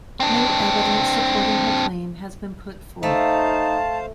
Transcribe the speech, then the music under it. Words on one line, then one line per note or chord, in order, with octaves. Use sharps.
No evidence supporting her claim has been put forth.
C4 D4
A3 D#4 C5 F5 A5